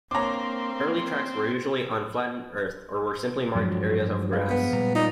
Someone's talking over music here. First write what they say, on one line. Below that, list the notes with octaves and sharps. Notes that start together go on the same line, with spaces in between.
Early tracks were usually on flattened earth or were simply marked areas of grass.
A#3 C4 D4 C#5 A#5 D6
G2 F3 F#3 G#3 D4
G#4 B4 F5
B3
A#2 G3 A#5
D#4 F4 D5